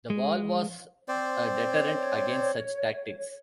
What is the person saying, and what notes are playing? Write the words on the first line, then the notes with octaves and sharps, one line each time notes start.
The wall was a deterrent against such tactics.
G#3
C4 C5 D5
C#5